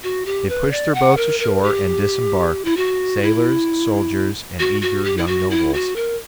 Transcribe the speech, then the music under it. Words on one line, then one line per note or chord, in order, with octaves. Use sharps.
They pushed their boats ashore and disembarked,--sailors, soldiers, and eager young nobles.
F#4
G4
B4
D5
F#5
A#4
A#4
G4
E4
F#4
E4
F#4
F#4
G4
E4
F#4
E4
F#4
A#4